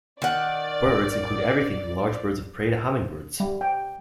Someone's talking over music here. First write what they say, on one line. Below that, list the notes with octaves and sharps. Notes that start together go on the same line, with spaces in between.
Birds include everything from large birds of prey to hummingbirds.
D#3 D5 F#5
G3
G5